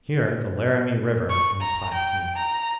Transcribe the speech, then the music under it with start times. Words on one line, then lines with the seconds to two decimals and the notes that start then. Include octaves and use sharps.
Here the Laramie River and the Platte meet.
1.30 C#6
1.61 A#5
1.94 G5
2.36 A#5